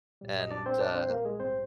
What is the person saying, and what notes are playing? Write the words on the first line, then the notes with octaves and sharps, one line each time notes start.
And, uh
A#1 A#2 G3
D#5
D4 D5
C4 C5
D4 D5
C4 C5
A#3 A#4
G#3 G#4
A#1 G#2 G3 C4 C5